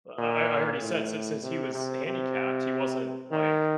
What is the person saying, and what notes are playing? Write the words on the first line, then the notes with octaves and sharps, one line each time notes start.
I I I already said since since he was handicapped, he wasn't, like,
A#2
A2
C3
C3
C3
D#3